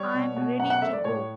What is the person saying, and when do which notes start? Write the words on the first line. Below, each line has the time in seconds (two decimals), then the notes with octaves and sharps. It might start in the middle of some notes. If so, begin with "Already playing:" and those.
I'm ready to go.
Already playing: G3 C#5
0.14 B2
0.36 B2
0.59 F#2 F#5
0.70 F#5
0.82 A3 E5
0.93 D5
1.05 A2 C#5